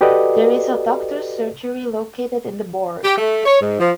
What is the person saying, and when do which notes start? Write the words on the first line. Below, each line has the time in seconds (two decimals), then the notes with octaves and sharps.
There is a doctors surgery located in the Borg.
0.01 F#4 G4 A4 B4 D5 D#5
3.04 G4
3.18 A3
3.46 C#5
3.61 G#2
3.80 F3